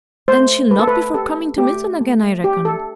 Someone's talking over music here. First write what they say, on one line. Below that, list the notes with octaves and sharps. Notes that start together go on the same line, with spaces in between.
'Then she'll not be for coming to Milton again, I reckon.'
A3 C5
A3 B4
A4
B4
G4 A4
A3 G4
A3
G4
A4